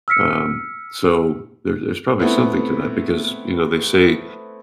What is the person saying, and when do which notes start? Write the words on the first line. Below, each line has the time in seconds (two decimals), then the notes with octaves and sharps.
Um, so there there's probably something to that because, you know, they say,
0.08 E6 F6 B6 C#7
2.20 A3 B3 C4 E4